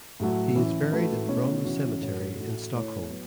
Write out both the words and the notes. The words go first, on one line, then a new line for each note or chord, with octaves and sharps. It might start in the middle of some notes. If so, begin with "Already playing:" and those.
He is buried in Bromma Cemetery in Stockholm.
A2 F#3 A3 F#4
E3 C#4 E4
A3 F#4 B4
B2 A3 C#4 E4 C#5
C#3 E3 C#4 F#4
A2 A3 F#4 C#5
A2 A3 F#4
A3 E4 C#5
F#3 B3